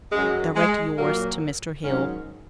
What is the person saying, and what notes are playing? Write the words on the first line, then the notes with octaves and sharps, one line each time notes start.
Direct yours to Mr. Hill.
F#2 F#3 G#3
G#3
A#2 F#3 A#3
G#2 D#3 F#3 C#4